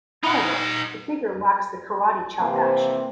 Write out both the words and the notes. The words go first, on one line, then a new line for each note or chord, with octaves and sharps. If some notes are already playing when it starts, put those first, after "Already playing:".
However, the figure lacks the karate chop action.
D#4 F#5
C3 E3 A#3 C4 C5